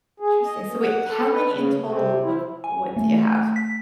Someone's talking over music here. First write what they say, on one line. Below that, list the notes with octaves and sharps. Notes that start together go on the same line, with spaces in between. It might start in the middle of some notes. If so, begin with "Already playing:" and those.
Interesting, so, wait, how many in total of what do you have?
G#4
D#5
B2
F#5
A4
B4
C#3
C3
E4
G#5
A3
B6